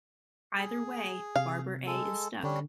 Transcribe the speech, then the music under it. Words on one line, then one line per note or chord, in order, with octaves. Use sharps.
Either way, Barber A is stuck.
G#4
C3 F5
G#3 A4
D3 G3 C#4 D4